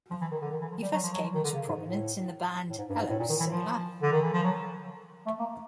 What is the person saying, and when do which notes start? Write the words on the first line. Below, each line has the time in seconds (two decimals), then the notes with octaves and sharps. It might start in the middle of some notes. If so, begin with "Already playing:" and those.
He first came to prominence in the band Hello Sailor.
0.11 F3
0.21 E3
0.31 D#3
0.42 D3
0.51 D#3
0.62 E3
0.72 F3
0.82 G3
0.93 F#3
1.03 F3
1.13 F#3
1.24 F3
1.35 D#3
1.44 D3
1.54 C#3
1.68 G#2
1.83 A2
2.70 A2
2.78 G#2
2.89 G2
2.99 G#2
3.09 A2
3.19 A#2
3.29 D#3
3.40 E3
3.51 F3
4.02 D3
4.12 D#3
4.22 E3
4.33 F3
4.43 F#3
5.26 A3
5.39 A#3